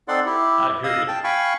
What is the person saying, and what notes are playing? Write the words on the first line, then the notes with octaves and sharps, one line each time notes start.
I hear ya.
C4 D#4 A4 D5 F#5 C6
E4 G4
D#5 F5 D#6 E6
G5 A5
F5 G5 G#5 B5 C#6